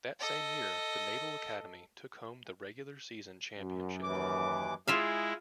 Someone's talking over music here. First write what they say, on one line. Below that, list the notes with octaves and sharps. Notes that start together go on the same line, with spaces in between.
That same year the Naval Academy took home the regular season championship.
A4 D#5
F#2
D#2 E3 D6
G#3 E4 F4 G#4 E5 F5